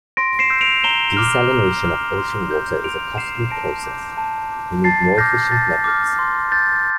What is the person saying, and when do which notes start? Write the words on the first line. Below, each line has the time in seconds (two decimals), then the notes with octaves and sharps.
Desalination of ocean water is a costly process, we need more efficient methods.
0.17 C6 A#6 D7
0.39 C7 E7
0.50 E6 G6
0.61 D7 F7
0.84 A#5 E7 G7
1.17 D6 F6
1.51 A#5
1.83 D6 F6
2.18 C6
2.51 G6
2.84 C6 D7 F7
3.17 G6 C7 E7
3.50 A5 A#6 D7
3.84 D6 G6
4.17 A5
4.51 D6 G6
4.84 A5 A6 C7
5.18 D6 F6 G6 A#6
5.51 A5 A6
5.84 D6 F6
6.19 C6
6.52 G6 A6